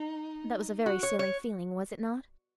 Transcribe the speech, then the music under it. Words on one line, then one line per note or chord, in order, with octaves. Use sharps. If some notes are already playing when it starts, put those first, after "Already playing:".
That was a very silly feeling, was it not?
Already playing: D#4
F#4
C#5
C#5